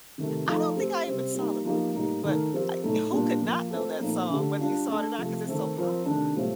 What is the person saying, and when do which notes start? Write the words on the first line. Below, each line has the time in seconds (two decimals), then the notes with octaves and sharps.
I don't think I even saw the movie, but I who could not know that song whether you saw it or not, 'cause it's so popular.
0.18 C3 D#3 A3
0.47 F3 A3 D#4 A4
0.76 A3 C4 G4
1.06 C3 G3 C4
1.35 G3 A#3 D#4
1.65 F3 A#3 D#4 G4
1.95 A2 G3 A#3 D#4
2.23 D#3 A3 D#4 A#4
2.53 F3 C4 G4 A#4
2.82 A2 A3 D#4 A4
3.12 A#2 G3 D4 F4
3.41 F3 A#3 F4
3.71 A3 C4 F4 A4
4.00 A#2 F3 A3 C4 D#4
4.29 D3 A3 D4 G4
4.59 G3 D4 F4
4.88 A3 D4 A4
5.18 C3 F3 A3
5.47 D#3 A3 C4
5.77 F3 C4 F4 A#4
6.06 C3 D#3 A3 D4
6.35 A2 G3 C4 F4